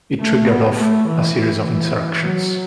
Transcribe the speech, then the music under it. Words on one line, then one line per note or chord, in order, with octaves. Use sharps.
It triggered off a series of insurrections.
A3
B3
A3
E3
E3
F#3